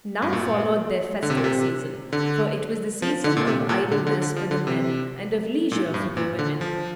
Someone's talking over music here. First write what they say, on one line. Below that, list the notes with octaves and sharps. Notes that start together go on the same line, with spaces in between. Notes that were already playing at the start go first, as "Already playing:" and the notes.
Now followed their festal season; for it was the season of idleness for the men, and of leisure for the women.
G2
A#2
D3
C3
A#2
C3
D3
F3
D3
A#2
C3
A#2
D3
D3
D3
F3
D3
C3
A#2
G2
A#2
D3
F3